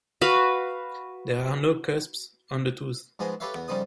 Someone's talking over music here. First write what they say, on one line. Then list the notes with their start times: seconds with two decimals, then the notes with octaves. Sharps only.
There are no cusps on the tooth.
0.21 F#4 B4 F5
3.19 G#2 F3 B3 G#4 D#5
3.40 G4 A4 B4 C#5 E5 F5
3.55 E2 B3
3.68 F2 C#3 G3 D#4 C5 D#6